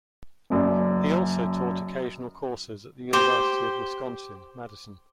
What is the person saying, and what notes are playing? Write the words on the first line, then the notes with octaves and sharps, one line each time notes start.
He also taught occasional courses at the University of Wisconsin-Madison.
F#1 F#2 D5
G4 C5